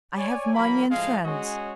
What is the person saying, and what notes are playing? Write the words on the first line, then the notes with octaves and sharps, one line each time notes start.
I have money and friends.
C#5 D5 G#5
E3 F#3 A#3 A#4 B5
A2 F3 G#3 F5
G#3 C#4 F#4 G#4 C#5 D#5